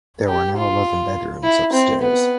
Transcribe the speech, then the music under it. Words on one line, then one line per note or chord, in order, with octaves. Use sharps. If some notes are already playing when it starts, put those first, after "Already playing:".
There were now eleven bedrooms upstairs.
G4
F4
E4
C4
B3